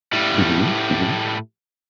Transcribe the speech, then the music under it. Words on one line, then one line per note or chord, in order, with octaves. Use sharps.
Mhm. Mhm.
A2 G3